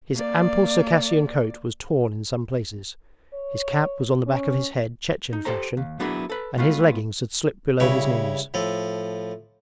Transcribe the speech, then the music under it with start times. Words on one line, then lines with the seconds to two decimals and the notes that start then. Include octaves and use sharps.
His ample Circassian coat was torn in some places, his cap was on the back of his head Chechen fashion, and his leggings had slipped below his knees.
0.15 A#3 D5
3.34 C#5
4.27 C#4
5.33 D#4
5.45 G4 A4 C5 A#5
5.77 D#2
6.00 F#3 B3 D4 E4 G#4 A#4
6.30 A4 B4
6.58 G#3 A3 B3 F4
7.80 G2 C#3 E4 C#5
8.54 A2 F3 A4